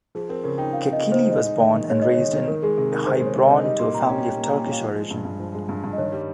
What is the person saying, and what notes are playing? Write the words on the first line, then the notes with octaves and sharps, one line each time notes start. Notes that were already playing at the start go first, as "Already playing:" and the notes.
Kekilli was born and raised in Heilbronn, to a family of Turkish origin.
F3 G#4
C4 A#4
C#3 A#4
D#4 G5
F3 F5
C4 D#5
C#3
C5
D#4
G#3 D#5
D#4
D#3
D#3
G#3 C#5
D#4 D#5
C#5
D#3
D#3
D#3 A#4
G#3 G#4
C3 G#4
D#4 A#4
D#3 C5
G#3 C#5
C3
D#5
D#4
G3 D#5
A#3 C6
A#2 A#5
C#4 G5
G3 G5
A#3
A#5
A#2 G#5
C#4 G5
F5
F3 D#5
G#3
G2
G2
F3
G#3
G2
G2
D#5
D#3 C#5
G3